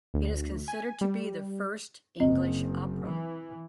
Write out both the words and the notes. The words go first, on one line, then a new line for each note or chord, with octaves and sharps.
It is considered to be the first English opera.
D2
G#5
G3
F#1 C4 D#5
E3